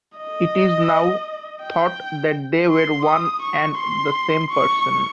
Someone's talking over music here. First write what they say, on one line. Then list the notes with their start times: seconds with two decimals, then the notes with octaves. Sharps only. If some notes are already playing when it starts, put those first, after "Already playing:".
It is now thought that they were one and the same person.
0.18 D#5
1.62 G5
2.71 C6
3.05 D#6
3.42 C#6
3.78 C6
4.51 C#6